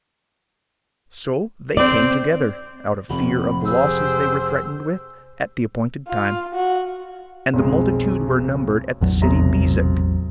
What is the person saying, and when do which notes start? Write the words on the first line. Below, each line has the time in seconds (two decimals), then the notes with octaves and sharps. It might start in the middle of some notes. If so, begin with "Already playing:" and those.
So they came together, out of fear of the losses they were threatened with, at the appointed time. And the multitude were numbered at the city Bezek.
1.77 C4 D5
3.10 F1 F2 B5
3.65 G4 G#4 C5 E6
6.08 F4
6.55 F#4
7.54 B1 F2 G#3
9.01 A1 E2 F#3
9.22 F1 B2 A#5